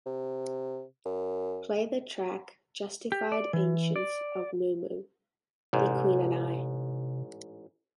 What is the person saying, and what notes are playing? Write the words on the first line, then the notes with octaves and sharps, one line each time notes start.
Play the track "Justified Ancients of Mu Mu - The Queen and I".
C3
F#2
G4
D5
E3
D5
A1 G#2 C3